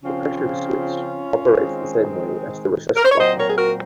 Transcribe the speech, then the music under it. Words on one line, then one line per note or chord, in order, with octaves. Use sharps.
This pressure switch operates the same way as the recessed button.
C#3 F3 C4 C#4 F4
D#3 G#3 C4
A#4
C5
C#5
A#2 F#3 C4 C5 D#5
A#4 C#5
G#4
F#4 A#4